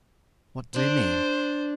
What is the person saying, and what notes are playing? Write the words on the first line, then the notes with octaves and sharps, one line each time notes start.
"What do you mean?"
D4 C5